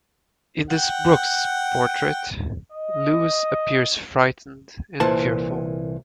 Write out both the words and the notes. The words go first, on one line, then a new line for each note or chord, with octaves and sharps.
In this Brooks' portrait, Lewis appears frightened and fearful.
F#5 G5
D#5
C2 A#2 E3 A5